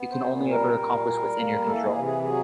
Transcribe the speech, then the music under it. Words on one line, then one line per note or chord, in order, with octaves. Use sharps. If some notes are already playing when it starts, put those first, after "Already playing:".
You can only ever accomplish what's in your control.
Already playing: B3
C5
A#2
G3 A#4
A#2
G3
A#3
E3 A4
G#4
C3
G#4
F#3 G#4